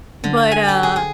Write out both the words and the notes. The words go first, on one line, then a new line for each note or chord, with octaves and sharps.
But, uh
D3
G#5
G4
G#4
G#4